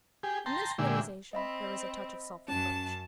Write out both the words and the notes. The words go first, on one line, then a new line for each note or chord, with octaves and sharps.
In this realization there was a touch of self-reproach.
G4 G#4
G5 A5 A#5 C6
A#2 D3 G#3 G4 E5
C4 D#5 E5 B5
F#2 C#4 A5